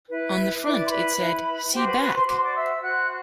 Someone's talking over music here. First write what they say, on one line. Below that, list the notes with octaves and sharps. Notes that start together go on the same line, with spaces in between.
On the front it said "see back".
E4 B4
E4 B4 D5 D6
C6
B4 B5
E4 B4
F#4 G4 C5 G5
B4 B5
B4 B5
C5 C6
F#4 C5 D6
C6
D5 D6
E5 E6
F#4 C5 F#5 F#6